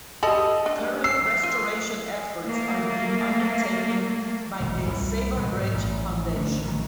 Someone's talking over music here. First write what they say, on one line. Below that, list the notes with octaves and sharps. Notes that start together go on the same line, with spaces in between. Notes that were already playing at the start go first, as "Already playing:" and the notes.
Current restoration efforts are being undertaken by the 'Save our Bridge Foundation.
G4 A4 D#5 A5 B5
D4
E6 C7
F4
A3 A#3
E1 A1 G#2
C2
G#2 B2
A1
A1 D3 A3 D4
A1 D#3 F#3